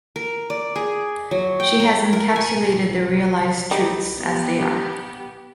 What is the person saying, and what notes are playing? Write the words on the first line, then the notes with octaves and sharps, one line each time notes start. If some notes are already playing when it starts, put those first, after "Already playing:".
She has encapsulated the realized truths as they are.
A#4
D5
G#4
F#3
G5
A#5
A#4
G#5
G3 D#4
B3 G4